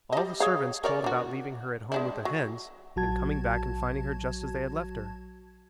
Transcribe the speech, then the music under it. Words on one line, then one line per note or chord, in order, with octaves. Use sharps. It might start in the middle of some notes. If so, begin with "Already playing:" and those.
All the servants told about leaving her at home with the hens and coming back and finding her just as they had left her.
G3 D#5
G#4 C#5 F5
A#4 C#5 D5
D4 F#4
G#3 D4 E4
F#3
A#1 F#3 F#4 A5 G#6